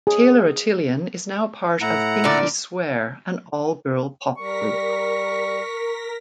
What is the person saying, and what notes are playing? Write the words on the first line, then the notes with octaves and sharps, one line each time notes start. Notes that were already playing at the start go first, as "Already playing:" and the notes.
Taylor Atelian is now part of Pink-E-Swear, an all-girl pop group.
G#4
A2 E4 F#5 A#5
A#2 D3 D5
G3 A#4 C#6 A#6 B6